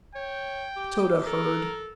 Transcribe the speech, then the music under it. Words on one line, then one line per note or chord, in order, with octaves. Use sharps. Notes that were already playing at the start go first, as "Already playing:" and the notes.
Tode heard.
C#5 G5
G4
A4 A#4